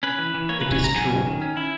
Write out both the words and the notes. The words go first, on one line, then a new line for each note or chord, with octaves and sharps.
It is true.
C#4 B4
E3
E3
A#3 C#5
B4
E3
C#5
G#2 A#5
F#3 G#5
C#4
D#3
C#4
E4